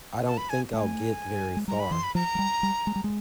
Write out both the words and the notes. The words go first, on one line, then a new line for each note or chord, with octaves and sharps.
I don’t think I’ll get very far.
A5
B5
G#5
A3 G#5 A5
G#3
G3 A#5
B5
E3 C6
B5
F3 A#5
F#3
G3
G3
G#3
G3
G#3